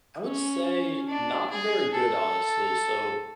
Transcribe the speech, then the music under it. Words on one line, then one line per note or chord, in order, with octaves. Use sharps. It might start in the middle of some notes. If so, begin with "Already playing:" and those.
I would say, not very good, honestly, so,
C#4
D4
G#4
A4